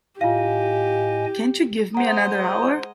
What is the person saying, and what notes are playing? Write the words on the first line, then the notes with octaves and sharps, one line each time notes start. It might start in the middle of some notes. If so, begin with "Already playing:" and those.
Can't you give me another hour?
A2 F4 G4 D#5 F5 G#5
G#3 C5 D#5 F#5 A#5